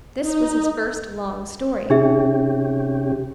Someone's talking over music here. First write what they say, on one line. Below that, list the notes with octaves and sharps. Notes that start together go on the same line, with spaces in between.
This was his first long story.
D#4
C3 C#4 D#4 G4 G#4 E5